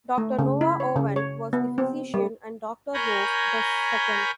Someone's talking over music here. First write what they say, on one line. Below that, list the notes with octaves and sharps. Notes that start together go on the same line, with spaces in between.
Doctor Noah Owen was the physician and Doctor Rowe the second.
A3
C#3
E4
C#5
C#3
C#5
B3
C4
G3
A#4 C#5 G#5 B5 G6 A#6